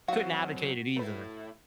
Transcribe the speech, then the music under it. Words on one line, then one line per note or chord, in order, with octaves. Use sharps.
couldn't advocate it either.
F#3 C4 F#4 F5 F#5
A3 E4 A#4 B4